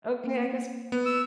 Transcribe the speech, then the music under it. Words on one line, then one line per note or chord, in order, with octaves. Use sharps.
Okay, I guess
A#3
B3
E6